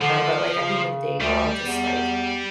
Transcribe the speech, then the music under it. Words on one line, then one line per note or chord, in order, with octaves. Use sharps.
but, like, at the end of the day, we're all just, like,
D3 F3
C#3
D2 G3
E2